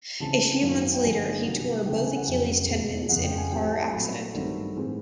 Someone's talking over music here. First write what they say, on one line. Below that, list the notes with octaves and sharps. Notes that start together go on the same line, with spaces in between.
A few months later, he tore both Achilles tendons in a car accident.
C#3 E3 G#3 C4 A5
F#2 D#3 F#3 A#3
G5
G2 D3 F3 G#5
C3 D#3 F#3
C#3 E3 A3 G5
G#5
G#5
F#5
F2 C#3 F#3 G5
E2 B2 G#3
F2 C#3 F3 G#3 F#5
G5
G#5
A2 E3 G3 C4 G5
G#5
A5
A#2 F#3 A3 B5
G2 D#3 F#3 A3 C4
A2 E3 G#3 C4